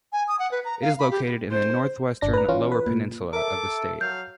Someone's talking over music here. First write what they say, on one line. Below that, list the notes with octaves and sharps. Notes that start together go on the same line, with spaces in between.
It is located in the northwestern Lower Peninsula of the state.
G#5
D#6
F#5
B4
A#5
F5
B5
G4
C5
G1 D4 A#6
B4 A#5
E3 C#4 F4
B4
A#2
A4 A#4 E5 D6
F#3 F5 G6